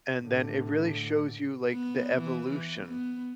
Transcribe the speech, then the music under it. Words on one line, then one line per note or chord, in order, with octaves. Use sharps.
and then it really shows you, like, the evolution,
A2 D3
B3
E3
E3
B3